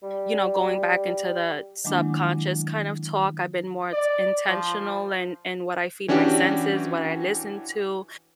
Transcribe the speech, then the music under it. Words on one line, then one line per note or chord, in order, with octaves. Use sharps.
you know, going back into the subconscious kind of talk, I've been more t intentional in in what I feed my senses, what I listen to.
G3
D#3 F#3 G#3 A#3 D4 E4
D5
F3
E3 C#4 D4 F#4 G4